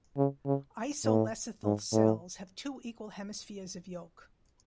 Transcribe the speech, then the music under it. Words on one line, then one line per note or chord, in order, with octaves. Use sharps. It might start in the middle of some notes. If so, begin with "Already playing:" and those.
Isolecithal cells have two equal hemispheres of yolk.
C#3
C#3
A2
G#2
A2